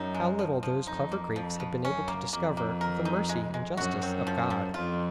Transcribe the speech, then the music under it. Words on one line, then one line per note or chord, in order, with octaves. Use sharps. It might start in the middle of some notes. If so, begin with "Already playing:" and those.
How little those clever Greeks had been able to discover of the mercy and justice of God!
Already playing: F#2 D#4
G#3
F3
F3
F2 D#4
A#3
F2 F3
F3
F#2 C#4
A#3
F2 A#3
A#3
A#4
D#4
G#3
G#3
F#2 F#4
C4
F3
F3
F2 F4